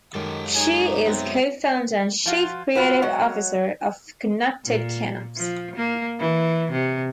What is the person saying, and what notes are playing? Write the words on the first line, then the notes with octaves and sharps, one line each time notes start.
She is co-founder and Chief Creative Officer of Connected Camps.
F#2 D#3 G#3 G4 A4
D#4 G#4 C#5 G#5
B3 C4 G4 B4 E5
F3 F4 F#4
B3 F4 F#4 B4
F#3 G#3 C#5 F#5
A#2
F3
A#3
E3
C3